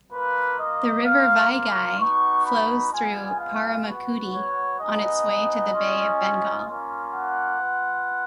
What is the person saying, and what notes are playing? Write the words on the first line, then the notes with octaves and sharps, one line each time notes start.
The river Vaigai flows through Paramakudi on its way to the Bay of Bengal.
A#3 F4 B4
D#5
A#3 F4 F5
F5
B3 D#4 F#4 C#6
B5
G#3 B3 F4 G#5
F5
B3 F#4
C#5
G#3 B3 D#4 D#5
G#3 C#4 F4
A#3 C#4 F4
F#5
B3 F4